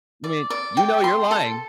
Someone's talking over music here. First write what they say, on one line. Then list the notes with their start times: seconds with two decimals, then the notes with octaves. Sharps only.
I mean, you know, you're lying.
0.24 D5
0.50 D5
0.77 G5
1.04 C6
1.31 A4